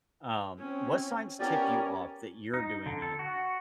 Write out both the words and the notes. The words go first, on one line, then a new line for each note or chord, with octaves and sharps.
Um, what signs tip you off that you're doing it,
C4 C#4
B3 C#4 G4 A#4 D5
D#4
D3
A4
F#4